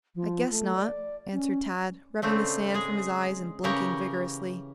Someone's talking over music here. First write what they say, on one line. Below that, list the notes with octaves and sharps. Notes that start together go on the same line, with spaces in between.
"I guess not," answered Tad, rubbing the sand from his eyes and blinking vigorously.
F3
A3
D5
C#4
C#3 A3 C4 D4
G#3 G#4
C#3 E3 G4 A#4 C#5